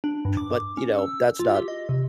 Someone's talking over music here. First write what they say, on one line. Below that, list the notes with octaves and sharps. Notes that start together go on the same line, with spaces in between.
but, you know, that's not
D4
G2
D6
C#4
E6
F4
G4
D#5
C3